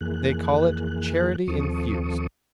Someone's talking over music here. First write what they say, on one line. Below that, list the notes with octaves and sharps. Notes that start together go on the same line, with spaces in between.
They call it "charity infused."
F2 E3 A#3 G#4 F#6
D#2 F3 C4 A4 C#6 D#6